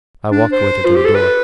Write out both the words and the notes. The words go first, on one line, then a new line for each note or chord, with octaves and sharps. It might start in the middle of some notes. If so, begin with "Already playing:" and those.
I walked with her to the door.
D4
C5
F4
G4
A4
B4